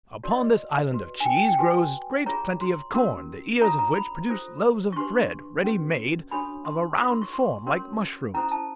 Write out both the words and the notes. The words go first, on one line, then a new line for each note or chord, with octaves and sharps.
Upon this island of cheese grows great plenty of corn, the ears of which produce loaves of bread, ready made, of a round form like mushrooms.
F#4 A#4 C#5 D5
D#5
D5
F#4 B4
G#5
G5
G5
G5
F#4 B4 G#5
F4 G#4 C#5 A#5
C6
C#4 F#4 A#4
F4 A4 C#5 A#5
A#5
B5
F4 A4 C5
C#6
D4 G4 B4 C6
C#4 F#4 B4
D4 F#4 A4 C#5 B5
C6
F4 A#4 C#5 B5
C6
C#6
C6
C#4 F#4 A#4 C#5 C6
C#4 E4 A4 C5 A#5
A5